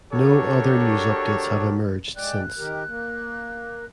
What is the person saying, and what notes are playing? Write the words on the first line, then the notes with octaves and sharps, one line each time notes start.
No other news updates have emerged since.
D4 F#4 G4 A4 A#4 C#5
G#3 D5 G5 F#6
D#3 G4 A#4
A#3